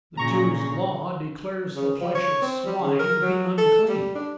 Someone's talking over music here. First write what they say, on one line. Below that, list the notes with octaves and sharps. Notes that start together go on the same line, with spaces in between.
The Jews' law declares the flesh of swine to be unclean.
A#2 C#3 A#5 C#6 A#6
C#3
F3
C#5
C4
G3
C#3
A#4
F#3
A4
G3
D4